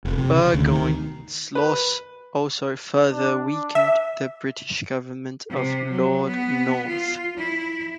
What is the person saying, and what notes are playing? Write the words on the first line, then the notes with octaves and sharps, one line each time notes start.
Burgoyne's loss also further weakened the British government of Lord North.
F1
C3
C#3
D2
D#3
B4
D4
E5
C3
F#3
B3
F4
E4